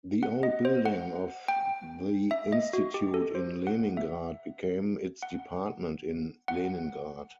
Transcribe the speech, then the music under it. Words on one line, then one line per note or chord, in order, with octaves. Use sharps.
The old building of the Institute in Leningrad became its Department in Leningrad.
F#5
D#5
C5
F#5
G5
E5
D#5
F#4
G4
A4
C5
F#5
E5
F#5
F#5